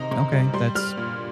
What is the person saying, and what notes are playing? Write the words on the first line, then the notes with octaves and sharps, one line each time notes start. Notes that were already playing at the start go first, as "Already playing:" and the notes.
Okay, that's
Already playing: C3 D#3 D#5 A#5
C3
G3
G3 C6
G3 F6
A#2